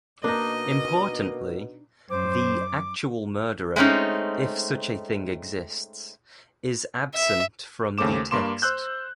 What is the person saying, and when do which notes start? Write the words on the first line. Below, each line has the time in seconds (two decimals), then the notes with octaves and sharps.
Importantly, the "actual murder," if such a thing exists, is absent from the text.
0.24 B2 A#3 D4 D#4 D#5
2.10 F#2 C5 D6
3.76 G#3 A3 C4 C#4 D#4
7.15 E5
7.98 D#2 C#3 A3 C5 D6 E7
8.31 G2 A#3 C6 D6 E7
8.62 C5 E6 F#6 G6